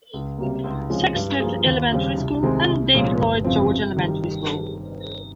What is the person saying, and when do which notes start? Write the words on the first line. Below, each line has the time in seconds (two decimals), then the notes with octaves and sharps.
Sexsmith Elementary School, and David Lloyd George Elementary School.
0.14 C#2
0.38 C3 G3 A#3
0.64 C#2
0.90 C3 F3 G#3 C#4
1.15 G2
1.40 F3 A#3 F4 G#4
1.66 D#2
1.92 C#3 G3 C4
2.18 C2
2.43 C3 D#3 G#3 C4
2.68 C2
2.94 A#2 F3 G#3 C#4
3.19 G1
3.44 F2 C#3 F3 C4
3.71 C3
3.97 D#3 G3